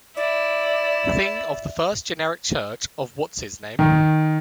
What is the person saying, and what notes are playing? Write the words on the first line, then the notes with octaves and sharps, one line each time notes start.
Thing of the First Generic Church of What's-his-name.
E4 D5
D#3